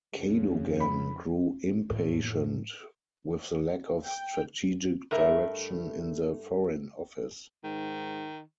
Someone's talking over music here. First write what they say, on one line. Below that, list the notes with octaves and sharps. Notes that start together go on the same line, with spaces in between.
Cadogan grew impatient with the lack of strategic direction in the Foreign Office.
F2 C#3
B5
F2 A2
G5
G2 A3 A#4 E5
G#2 D#3